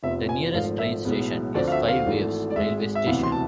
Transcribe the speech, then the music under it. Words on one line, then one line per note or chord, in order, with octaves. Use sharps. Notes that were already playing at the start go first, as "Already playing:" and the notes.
The nearest train station is Five Ways railway station.
F1 F2 C3 F3 B3 E5
G#5
G#1 G#2 F3 A3 F5
E5
B1 A2 G#3 B3
D2 D3 F3 A3 C4 D5
F5
E5
F5
G#1 G#2 E3 A3
D5
G#1 G#2 G#3 E5
E5
E1 D2 C3 E3 B3 F5
C6
A5